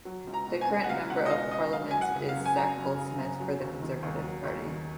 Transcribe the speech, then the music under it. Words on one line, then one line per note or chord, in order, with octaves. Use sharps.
The current Member of Parliament is Zac Goldsmith for the Conservative Party.
F#3
C#2
A#5
B2
G#5
C#2
F#5
F#3 F5
C#2 F#5
D#5
B2 F5
C#2 D#5
F#3 F5
F#2 G#5
F#5
C#3
F5
F#2
G#5
F#3 A#5
F#2
C#3
F#2
F#3
D#2
D#3
D#2
F#3
D#2
D#3